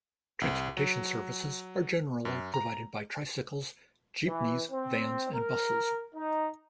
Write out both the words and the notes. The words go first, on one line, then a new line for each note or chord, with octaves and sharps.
Transportation services are generally provided by tricycles, jeepneys, vans and buses.
C2
F#3
F#2
A#5
E3
C4
A#4
D#4